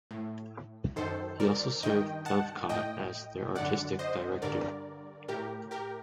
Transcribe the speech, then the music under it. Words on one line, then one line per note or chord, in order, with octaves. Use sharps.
He also served Dovecot as their artistic director.
A2
F#2 D#3 A4 C5
A#4 D5
G2 D#3 D#5 G5
F#5 A5
A2 D#5 G5
F#2 D3 D5 F#5
C5 D#5
G2 D3 A#4 D5
A2 G4 A#4
G4 A#4